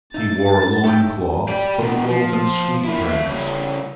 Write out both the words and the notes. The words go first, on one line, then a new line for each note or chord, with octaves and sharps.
He wore a loin cloth of woven sweet grass.
D#4 E5 A6
A2 A3 D#4 G5
G4 D5
E2 B2
F3
A#3 E4
A#3 E5
C#3 G3